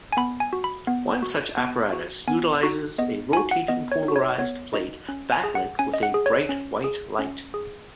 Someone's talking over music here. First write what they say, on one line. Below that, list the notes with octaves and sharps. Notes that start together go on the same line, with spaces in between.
One such apparatus utilises a rotating polarised plate backlit with a bright white light.
G#5
B3 B5
G#5
F#4
B5
B3
F#4
B3
F#4
B3 G#5
D#4 F#4
B3 D#5
D#4 F#4 G#5
F#5
B3 D#5
C#5
D#4
F#4
C#5
B3 C#5
D#4 F#4 D#5
C#4
G#5
G#4
F#5
C#4 G#5
D#5
F#5
G#4
C#5
C#4
G#4
C#4
G#4